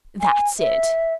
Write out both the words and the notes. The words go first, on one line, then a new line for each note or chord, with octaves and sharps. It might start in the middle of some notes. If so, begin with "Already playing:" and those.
"That's it."
G#5
E5